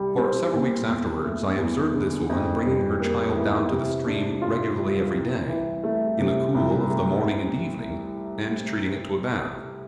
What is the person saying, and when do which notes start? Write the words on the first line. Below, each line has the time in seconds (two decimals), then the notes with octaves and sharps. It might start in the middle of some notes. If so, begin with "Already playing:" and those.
For several weeks afterwards I observed this woman bringing her child down to the stream regularly every day, in the cool of the morning and evening and treating it to a bath.
Already playing: C2 G3
0.17 C4
0.53 A#2
0.88 E2
1.24 A3
1.59 E2
1.94 D3
2.29 F2
2.65 G3
3.01 A#3
3.36 E3
3.71 C3
4.07 D4
4.42 F4
4.78 G3
5.12 C2
5.48 E3
5.84 A3
6.20 C3
6.55 C2
6.90 A3
7.25 C2